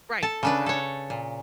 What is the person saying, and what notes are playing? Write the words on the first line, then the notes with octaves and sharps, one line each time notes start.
Right. Exactly.
A4 A5
C#3 D4 B4
A4 C#5
A#2